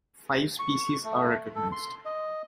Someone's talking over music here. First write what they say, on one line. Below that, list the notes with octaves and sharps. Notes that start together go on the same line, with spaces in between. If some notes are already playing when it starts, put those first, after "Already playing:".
Five species are recognized.
C#6
A3
A4
C6
D#5